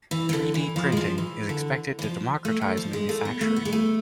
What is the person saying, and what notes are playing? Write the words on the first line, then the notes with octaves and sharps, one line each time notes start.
Three-D printing is expected to democratize manufacturing.
E3
E3
D3
E3
F3
G#3
F3
E3
D3
E3
F3
A3
A3
F3
G#3
A3
B3
A3
B3
G#3
A3